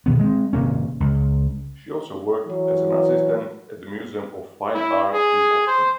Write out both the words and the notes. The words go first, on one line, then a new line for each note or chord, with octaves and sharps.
She also worked as an assistant at the Museum of Fine Arts in Boston.
D2 B2 D#3 B3
G#3 C4
G#1 C3 A#3 C#4
C#2
E3 F#3
E4
G#4
C5